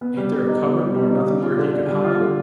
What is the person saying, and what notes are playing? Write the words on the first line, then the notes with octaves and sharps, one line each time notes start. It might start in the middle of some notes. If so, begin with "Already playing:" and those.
Ain't there a cupboard nor nothing where he could hide?'
B3
G3
G3
D#4
B3
G3
G3
D#4
G3
F4
D3
D4
G3
F4
D3